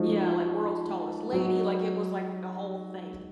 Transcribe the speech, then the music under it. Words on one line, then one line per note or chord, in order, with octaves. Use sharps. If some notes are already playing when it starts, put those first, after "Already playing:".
Yeah, like, world's tallest lady, like, it was, like, a whole thing,
Already playing: F3 G#3 D#4 F#4
F#3